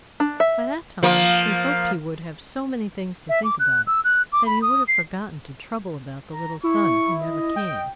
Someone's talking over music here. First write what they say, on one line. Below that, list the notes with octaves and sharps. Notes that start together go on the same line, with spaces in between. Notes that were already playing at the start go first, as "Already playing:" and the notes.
By that time he hoped he would have so many things to think about that he would have forgotten to trouble about the little son who never came.
D4
E5
F3 A#3
E5
D6
F#6
E6
F#6
D6
B5
D#6
C7
A#5
E4 C#6
D#5
G5